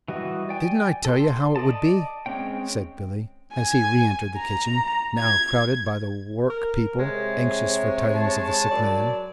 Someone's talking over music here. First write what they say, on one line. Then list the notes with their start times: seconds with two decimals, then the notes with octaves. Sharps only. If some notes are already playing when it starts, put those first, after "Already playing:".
"Didn't I tell you how it would be?" said Billy, as he re-entered the kitchen, now crowded by the workpeople, anxious for tidings of the sick man.
0.08 E3 G3 F#4 D#5
0.49 D5 G5 G#5
1.05 A4 C6
1.56 D5 D#5 A5
2.26 G#3 C4 C#4 G5
3.54 G#5
4.38 A#5
5.19 G#6
6.50 A#4
6.99 C3 G#3 C#5
8.15 A5
8.71 F#2 D5